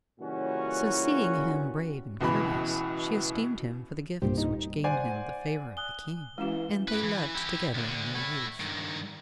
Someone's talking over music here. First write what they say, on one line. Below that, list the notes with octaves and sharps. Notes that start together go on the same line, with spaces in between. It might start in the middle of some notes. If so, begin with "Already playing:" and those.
So seeing him brave and courteous, she esteemed him for the gifts which gained him the favour of the King, and they loved together in their youth.
A#2 C#3 E3 G3 C#4 F#4
C#2 B2 E3 B5
C2 G2 A#2 G4 C5
B2 D#4
C5 D5 F#5 G#5
G#5 D#6 F#6 G7
E3 G#3 C#4 E4 F#4 F5 E7
G4 B4
E3
E4 G4
D2 D3
A3 E4
G2 D#3